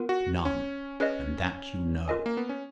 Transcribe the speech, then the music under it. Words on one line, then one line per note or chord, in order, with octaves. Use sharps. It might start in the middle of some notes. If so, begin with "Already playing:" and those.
None: and that you know.
Already playing: B3 F4 A#4
F#4
C#4
C#4 G#4 B4 D#5
F4 A#4 D#5 G#5
A#3
B3
C#4